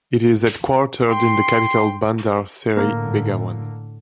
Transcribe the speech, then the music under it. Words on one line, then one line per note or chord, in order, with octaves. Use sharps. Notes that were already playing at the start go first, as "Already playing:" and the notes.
It is headquartered in the capital Bandar Seri Begawan.
G5 C6
A2 D3 A#3